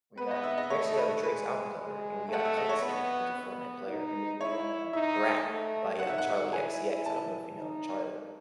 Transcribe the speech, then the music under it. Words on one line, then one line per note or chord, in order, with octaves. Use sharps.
we got we actually have Drake's album cover, and we got Clix here, who's a Fortnite player. And then we got, uh, Brat by, uh, Charlie XCX. I don't know if you know Charlie.
B3 B4
D#5
E5
D#5
A3 C#5
A4
B4
G#3 B4
G#3
A3 F#5
E5
D#5
C#5
B3 B4
B3
D#4
E4 C#5
D#4 E5
A3
D#4 F#5
E5
F#5
E4 G#5
A5
D#4